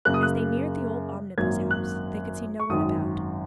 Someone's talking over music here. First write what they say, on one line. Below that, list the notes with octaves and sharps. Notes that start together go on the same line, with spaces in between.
As they neared the old Omnibus House they could see no one about.
F#2 C#3 A#3 F#6
D#6
F#6
G#1 F#2 F#3 A#3 G#6
F#6
C#6
G#1 F#2 D#3 D#6